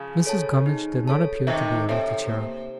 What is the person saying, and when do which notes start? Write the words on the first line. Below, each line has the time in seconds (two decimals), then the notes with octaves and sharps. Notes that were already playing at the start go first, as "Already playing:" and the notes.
Mrs. Gummidge did not appear to be able to cheer up.
Already playing: C#3 F3
0.25 A4 C#5 A5
0.66 D#4
1.08 A4 C#5 A5
1.47 C3 D#3 D#4
1.89 C3 A4 C#5 A5
2.28 A#3